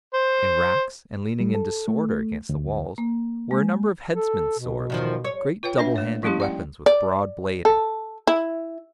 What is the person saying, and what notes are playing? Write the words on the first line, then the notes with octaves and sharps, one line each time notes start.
In racks, and leaning in disorder against the walls, were a number of headsmen's swords, great double-handed weapons with broad blade and keen edge.
C5
G3
A4
A3
D2
A#3
G#3
A4
B2
E2 D#3 F3
C#5
F4 B4 C#5 G5
D4 B4 E5
A3 C#5
F3 G3 A#3 C#4 E4 G4
D5 F#5 G5
D5
A4
E4